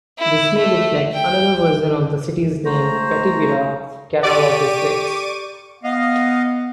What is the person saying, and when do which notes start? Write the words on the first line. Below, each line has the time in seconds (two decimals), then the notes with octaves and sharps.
This may reflect another version of the city's name, Patibira, "Canal of the Smiths".
0.18 E4
0.57 A3
1.12 G5
2.65 G#3 A3 F#4 C5 A#5
4.23 G4 D5 C#6 D6 D#7
5.84 B3 D#5 F5